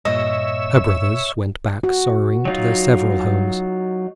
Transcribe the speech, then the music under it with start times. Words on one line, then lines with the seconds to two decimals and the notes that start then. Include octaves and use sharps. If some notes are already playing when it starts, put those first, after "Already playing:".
Her brothers went back sorrowing to their several homes.
0.05 G2 A#2 C#5 D#5 E5 E6
1.83 F#4
2.45 F#3 D#4 F4